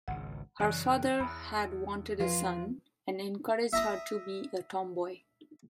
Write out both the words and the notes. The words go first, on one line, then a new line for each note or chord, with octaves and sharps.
Her father had wanted a son, and encouraged her to be a tomboy.
G#1 C#2 F#5
F#2 C#3 E3 C#4 F#6
E2 B5
F3 G#3 F4 B4
E5 A#5 D#6